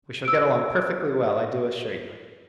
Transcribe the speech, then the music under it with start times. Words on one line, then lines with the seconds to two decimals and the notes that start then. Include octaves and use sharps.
We shall get along perfectly well, I do assure you.
0.25 E6 D7